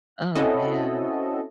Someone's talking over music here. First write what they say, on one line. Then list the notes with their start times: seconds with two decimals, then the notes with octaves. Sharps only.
Oh, man.
0.35 C4 C#4 E4 F#4 A4 D#5